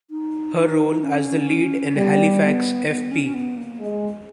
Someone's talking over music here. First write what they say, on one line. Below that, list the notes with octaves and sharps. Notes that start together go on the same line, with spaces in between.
Her role as the lead in Halifax f.p.
D#4
D#4
C#4
G3 B3
B3
B3
C#4
C#4
B3
A#3
G#3